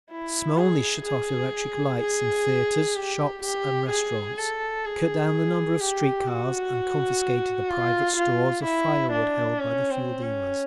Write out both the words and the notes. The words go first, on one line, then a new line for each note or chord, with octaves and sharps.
Smolny shut off all electric lights in theatres, shops and restaurants, cut down the number of street cars, and confiscated the private stores of fire-wood held by the fuel-dealers....
E4
G#4
G#4
G#4
G4
G4
G#4
A4
G#4
G4
F#4
F4
F4
E4
D4
C#4
C4
C#4